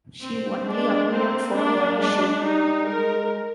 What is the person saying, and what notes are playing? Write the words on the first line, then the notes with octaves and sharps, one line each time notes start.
She only appeared for one issue.
C4
G#3 D4
A#3 C4
D4
G#3 D4
G3 D#4
G#3 A#4